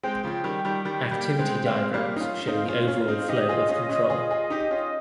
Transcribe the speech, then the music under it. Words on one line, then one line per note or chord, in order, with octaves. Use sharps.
Activity diagrams show the overall flow of control.
G#3 C4 G5
C#3 F3
D#3 G3
D#3 G3
D#3 G3
G3 A#3
G#3 C4
G#3 C4 F5
G3 A#3
D#4
C#4 F4
C4 D#4
C#4 F4
C#4 F4
C4 D#4
D#4 G4 D#5
F4 G#4
C#4 F4
C#4 F4
F4 G#4
F4 G#4
D#4 G4
C#4 F4